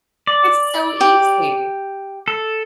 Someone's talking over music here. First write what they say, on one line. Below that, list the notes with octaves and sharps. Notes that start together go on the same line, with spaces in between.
it's so easy.
D5
G4
A4